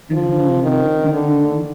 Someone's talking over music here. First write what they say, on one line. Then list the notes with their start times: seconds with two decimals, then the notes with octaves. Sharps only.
Mhm, mhm.
0.13 F3
0.63 D#3
1.12 D3